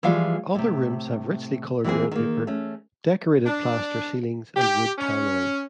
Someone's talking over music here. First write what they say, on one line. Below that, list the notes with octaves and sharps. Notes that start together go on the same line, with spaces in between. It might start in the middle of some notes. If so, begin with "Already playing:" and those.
Other rooms have richly coloured wallpaper, decorated plaster ceilings and wood panelling.
E3 F3 G3 G#3 F4 F5
A2 C3
E3 G#3 A#3 C4 G#4
D#3 A#3
A3 C#4
D4
G4
C#4